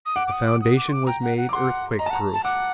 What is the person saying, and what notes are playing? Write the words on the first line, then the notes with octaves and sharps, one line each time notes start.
The foundation was made earthquake-proof.
D#6
F#5 D6
D6
D#6
D6
D#6
D6
C6
D6
G5 A#5
F#5
F#5
D6
F#5 C6
D#5 A#5
A5
F#5 A#5
A5
F#5 D6